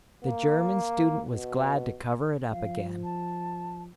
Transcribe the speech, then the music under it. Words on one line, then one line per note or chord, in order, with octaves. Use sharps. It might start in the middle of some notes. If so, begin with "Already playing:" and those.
The German student was glad to cover it up again.
A#3
B2
F3 F5
A5